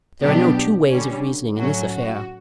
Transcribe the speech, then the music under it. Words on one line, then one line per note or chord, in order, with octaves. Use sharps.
There are no two ways of reasoning in this affair.
B2 F#3 B3 D4 G4
D3 G3 C#4
A2 F#3 A3 C#4 F#4
F#4